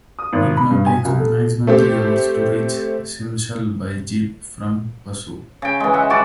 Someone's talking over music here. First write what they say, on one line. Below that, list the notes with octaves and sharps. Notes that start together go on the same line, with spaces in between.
It now takes maximum three hours to reach Shimshal by jeep from Passu.
D#6
G#1
B5
G2
G#5
C2
A4
A3 C4 G4
C#3 G5
E3 G#3
D#5 E5 F#5
G3 C#4 F#4 D5